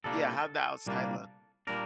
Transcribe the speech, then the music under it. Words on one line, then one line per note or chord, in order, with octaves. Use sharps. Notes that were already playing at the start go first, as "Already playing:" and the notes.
Yeah, how'd the outside look?
C2 A#2 G3 A#3 D4 A4
C2 A#2 G3 A#3 D4
A#2 G3 A#3 D4 A#4